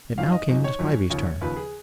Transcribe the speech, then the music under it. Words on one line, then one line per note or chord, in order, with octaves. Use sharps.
It now came to Spivey's turn.
G#1 F#2 F3 F5
D#5
G#1 F#2 F3 D#5
C#5
G#1 F#2 F3
D#2 C#3 F3 C#5
D#2 C#3 F3 B4
G#4